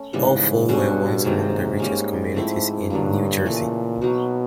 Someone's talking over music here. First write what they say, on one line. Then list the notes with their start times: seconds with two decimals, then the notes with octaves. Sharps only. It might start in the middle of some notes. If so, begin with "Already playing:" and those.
All four were once among the richest communities in New Jersey.
Already playing: A3 C#4
0.13 G#2 C#3 E3 G3 B3
0.69 G2 B2 G#3 C#4 F#4
1.24 G#2 C3 D#3 F#3 A#3
1.80 G3 A#3 C#4
2.35 F3 A3 C4 E4
2.90 G2 D3 F#3 A#3
3.46 A#2 C#3 E3 A3
4.01 B2 F#3 A#3 D#4 F#4